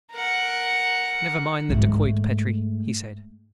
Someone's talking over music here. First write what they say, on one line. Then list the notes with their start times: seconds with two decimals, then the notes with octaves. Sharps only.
"Never mind the dacoit, Petrie," he said.
0.12 A#4 F#5
1.69 G#2 A3